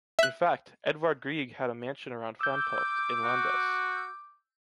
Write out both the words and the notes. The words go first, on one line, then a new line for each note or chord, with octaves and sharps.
In fact, Edvard Grieg had a mansion around Fantoft, in Landås.
E5 F#6
D6 E6 G6
F#4